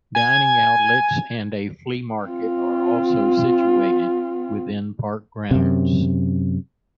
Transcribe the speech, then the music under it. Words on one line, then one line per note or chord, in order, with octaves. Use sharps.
Dining outlets and a flea market are also situated within park grounds.
G#5 G#6
C4 F4
F#2 C3